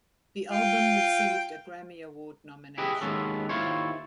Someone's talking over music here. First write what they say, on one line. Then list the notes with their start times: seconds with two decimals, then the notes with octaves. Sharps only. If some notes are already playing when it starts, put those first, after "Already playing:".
The album received a Grammy Award nomination.
0.50 F4 G5
2.78 E4 G4 G#4 B4 D#5
3.01 D#2 G#3 B3 C#4 A4
3.49 D#2 E4 F4 C5 C#5